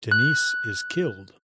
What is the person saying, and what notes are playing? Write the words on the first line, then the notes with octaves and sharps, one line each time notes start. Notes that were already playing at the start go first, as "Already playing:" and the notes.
Denise is killed.
F#6